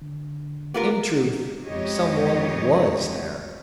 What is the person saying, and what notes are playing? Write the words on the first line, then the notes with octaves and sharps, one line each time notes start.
In truth, some one was there.
D3
A3 B3 F4 G4 A#4 D6
F2 G#3 G4 C#5 D#5